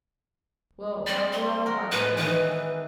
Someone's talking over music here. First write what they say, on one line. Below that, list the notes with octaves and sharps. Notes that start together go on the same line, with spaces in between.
Well, I'll go out and watch them.
G3 C4 D5
C6
F#4 A#4
A2 G#3 B3 B4
D#3 E3 G#3 B4